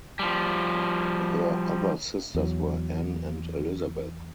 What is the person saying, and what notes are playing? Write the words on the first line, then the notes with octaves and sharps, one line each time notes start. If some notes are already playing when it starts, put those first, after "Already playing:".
Her other sisters were Anne and Elizabeth.
F3 G3
E2 F#3